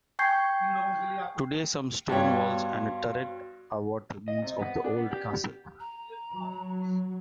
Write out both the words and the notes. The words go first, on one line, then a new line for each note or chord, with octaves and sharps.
Today some stone walls and a turret are what remains of the old castle.
G5 G#5 C#6 G6 G#6 C7
G2 B2 F#4 C#5 F5 C6
D#5
C3
B3
D4
B3
G4
A#5
F#3